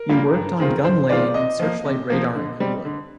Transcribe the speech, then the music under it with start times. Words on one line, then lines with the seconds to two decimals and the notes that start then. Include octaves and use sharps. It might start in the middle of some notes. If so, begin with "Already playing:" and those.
He worked on Gun Laying and Searchlight Radar in England.
Already playing: A#4
0.09 G3 A#3 F4
0.34 G2
0.60 D#3 G#3 C4 F4
0.84 G2 C5
1.09 D#3 G#3 C4 F4 D5
1.34 C3 D#5
1.60 F3 A#3
1.85 C3
2.10 F3 A#3
2.35 D3
2.60 G3 C4
2.85 D3